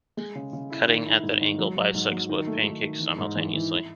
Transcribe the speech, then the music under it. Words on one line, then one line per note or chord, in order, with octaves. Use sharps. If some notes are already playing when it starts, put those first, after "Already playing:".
Cutting at that angle bisects both pancakes simultaneously.
G#3
C#3
C#3
E4
D#3
E4
G#2
D#3
F#3
F#3
G#2
F#3
D#3
A3
D#3
D#3
E3
G#2
E3
E3
E4